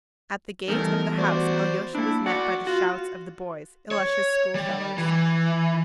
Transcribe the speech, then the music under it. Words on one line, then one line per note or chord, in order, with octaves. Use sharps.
At the gate of the house Alyosha was met by the shouts of the boys, Ilusha's schoolfellows.
E2 D#3 G3 A3 A#4
F#4 C5 D5
A#3 D4 E4
F#4 D5 F#5
F4 F#4
C#5
G3
E3